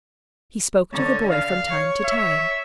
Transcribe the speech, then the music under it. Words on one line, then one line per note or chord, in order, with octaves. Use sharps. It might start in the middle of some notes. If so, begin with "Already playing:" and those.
He spoke to the boy from time to time.
D3 C#5
F5
C#5
E5